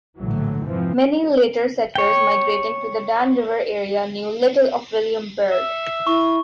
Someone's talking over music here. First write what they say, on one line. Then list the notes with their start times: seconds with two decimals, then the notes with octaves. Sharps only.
Many later settlers migrating to the Dan River Area knew little of William Byrd.
0.18 A#1 A2 D3 E3 F#3
0.64 F1 G#2 E3 F3 C4
1.95 C#5 G5
5.52 E5
6.07 E4 C#6